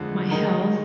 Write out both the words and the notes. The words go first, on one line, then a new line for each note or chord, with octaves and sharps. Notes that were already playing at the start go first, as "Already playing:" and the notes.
my health
Already playing: F2 D3 G#3
D#3 G#3 D#4 A#4